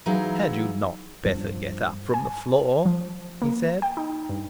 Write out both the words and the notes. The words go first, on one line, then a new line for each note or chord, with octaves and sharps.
"Had you not better get up from the floor?" he said.
E3 F#3 D#4 E4 G#4 F5
G2 F3
G#5
F3
A#3
G5
D#4
G2